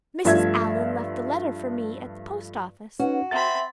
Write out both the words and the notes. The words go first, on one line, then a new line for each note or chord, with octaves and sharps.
Mrs. Allan left the letter for me at the post office.
G2 F3 A3 F4 E5 G#6
C#4 D#4 F#4 B4
C4 E5 B5 A6